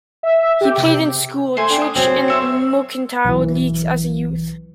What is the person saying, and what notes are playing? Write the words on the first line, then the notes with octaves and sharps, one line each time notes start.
He played in school, church and mercantile leagues as a youth.
E5
G4
C3
A3 C5 G#5
D4 G5
D#6
F#3 C4 G#5
C#5 E5 C6
B1 E3